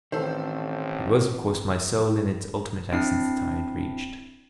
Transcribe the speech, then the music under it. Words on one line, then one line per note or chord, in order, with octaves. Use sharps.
It was of course my soul in its ultimate essence that I had reached.
A1 D#3 E3 C4 A4 C5
C4 D4 E4 C7